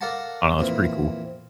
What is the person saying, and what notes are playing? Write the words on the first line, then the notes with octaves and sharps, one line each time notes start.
I don't know, it's pretty cool.
A4 A#4 D5 F5 F#5 A5
F2 A#2 E3 C4